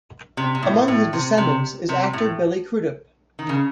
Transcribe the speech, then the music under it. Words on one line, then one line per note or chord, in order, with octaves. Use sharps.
Among his descendants is actor Billy Crudup.
C3
C3
A2
A2
C3
C3
C3
A2
D#3
C#3